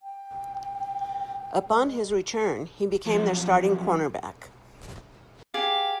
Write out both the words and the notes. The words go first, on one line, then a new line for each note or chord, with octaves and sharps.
Upon his return, he became their starting cornerback.
G5
G#3
F#2 F3
G4 G#4 F5